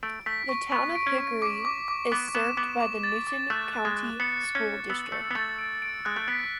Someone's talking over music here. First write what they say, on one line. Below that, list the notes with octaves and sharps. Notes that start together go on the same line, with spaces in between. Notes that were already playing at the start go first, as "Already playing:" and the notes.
The Town of Hickory is served by the Newton County School District.
A3 D7
A3 B6
C#6
B3 C#6
D7
C#4
C#6
D6
D6
D6
B3 D6
B3 E7
B3 D6
D6
A6
D6
A3 F#6
F#6
G#3
F#6
B3 C#7
A6
C#4
C#7
B3 E6
A3 C#7
B3
A3 A6
D7
D7
G#3 F#6
A3
B3 B6